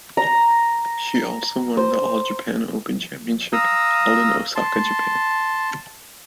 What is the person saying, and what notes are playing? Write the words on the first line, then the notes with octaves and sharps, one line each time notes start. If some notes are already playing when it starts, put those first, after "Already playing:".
She also won the "All Japan Open Championship" held in Osaka, Japan.
A#5
C5
F5 A#5 D#6 E6
A5 C6